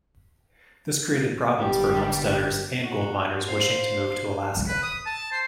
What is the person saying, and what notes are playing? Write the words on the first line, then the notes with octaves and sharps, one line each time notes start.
This created problems for homesteaders and gold miners wishing to move to Alaska.
G1 G2 G3 G4
F#4
C5 F5
B4
D#6
A5
C5